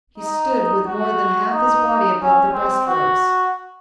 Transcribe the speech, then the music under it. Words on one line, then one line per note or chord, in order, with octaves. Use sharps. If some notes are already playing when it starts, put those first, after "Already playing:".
He stood with more than half his body above the breastworks.
D#4
F#4
D#4
C#4
C4
F#4